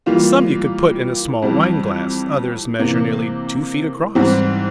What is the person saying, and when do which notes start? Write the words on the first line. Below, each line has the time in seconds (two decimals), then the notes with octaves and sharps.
Some you could put in a small wineglass, others measure nearly two feet across.
0.06 E3 G3 A#3 F4
1.42 F2 E3 G3
2.79 C3 E3 A#3
4.15 G#2 E3 G3 C4